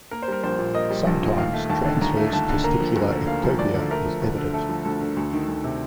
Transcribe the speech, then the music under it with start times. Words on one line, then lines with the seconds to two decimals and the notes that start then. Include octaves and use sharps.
Sometimes, transverse testicular ectopia is evident.
0.11 A#3 A#4
0.22 C5
0.28 G3 A#4
0.43 A#1 C5
0.59 A#2
0.75 A#3 D#5
0.90 G3
1.07 A#1
1.23 A#2
1.38 D#2 F5
1.53 A3
1.70 D#2 A5
1.85 D3
2.01 D#2 A#5
2.17 A3
2.33 D#2 A5
2.49 D3
2.64 A#3 A#5
2.80 F3
2.96 D2
3.11 D3
3.27 A#3 F5
3.44 F3
3.59 D2 D5
3.75 D3
3.91 A3 A#4
4.06 F3
4.22 D2
4.38 D3
4.54 A3 A4
4.69 F3
4.85 D2 A4
5.01 D3
5.17 D2
5.33 D#3
5.48 D2
5.64 C3